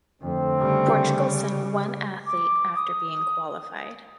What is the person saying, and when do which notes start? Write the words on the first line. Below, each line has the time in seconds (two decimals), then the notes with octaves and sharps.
Portugal sent one athlete after being qualified.
0.22 F2 D3 A3 C4
0.59 C#3 G3
2.26 D6
2.75 D#6